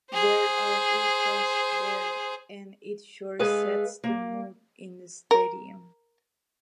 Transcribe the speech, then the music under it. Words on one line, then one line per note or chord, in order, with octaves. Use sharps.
There are ultras there and it sure sets the mood in the stadium.
G#4 C5
G#3 G#4 A4 B4 F5
A#3
A#4